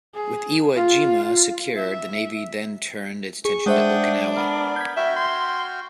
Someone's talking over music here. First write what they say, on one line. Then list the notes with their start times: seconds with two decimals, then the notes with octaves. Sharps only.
With Iwo Jima secured, the Navy then turned its attention to Okinawa.
0.15 G#4
0.76 F4
1.77 E5
3.45 G#4 C#6
3.66 G#3 D4 C5 E5 F#5 G5 D#6
4.36 B3 A#4
4.76 G6 G#6 B6
4.97 F#4 E5 G5 F6
5.16 C6